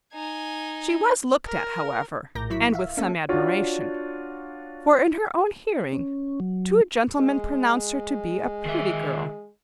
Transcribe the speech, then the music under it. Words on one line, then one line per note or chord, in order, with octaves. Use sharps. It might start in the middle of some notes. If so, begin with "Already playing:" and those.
She was looked at, however, and with some admiration; for, in her own hearing, two gentlemen pronounced her to be a pretty girl.
D#4 G#5
A#4
A#1 A2 A#4 D6 G6 A#6
F#3 E4 C#6 B6
E5 F5
A#3 C#4 A4 E5 A5
D4 F4 F#4 C#5
C#4
F#3
G#3
D#3 E5